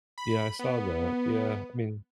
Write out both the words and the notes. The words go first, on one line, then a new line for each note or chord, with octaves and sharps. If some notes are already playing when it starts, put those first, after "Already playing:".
Yeah, I saw that. Yeah, I mean
B5
B3